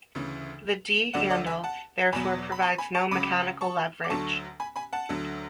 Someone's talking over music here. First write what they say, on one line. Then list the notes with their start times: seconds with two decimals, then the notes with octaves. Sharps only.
The D-handle therefore provides no mechanical leverage.
0.15 D2 C#3 E3
1.14 D2 D3 F#3 D5 F#5
1.30 D5 F#5
1.47 E5 G#5
1.64 F#5 A5
2.13 E2 B2 F#3 G#5 B5
2.52 B5
2.62 A5 C#6
2.78 G#5 B5
2.95 A5 C#6
3.11 C#2 C#3 F#3 B5 D6
3.61 A5 C#6
4.04 D6
4.10 D2 D3 F#3 A5 C#6
4.60 G#5 B5
4.76 G#5 B5
4.93 F#5 A5
5.09 D2 D3 F#3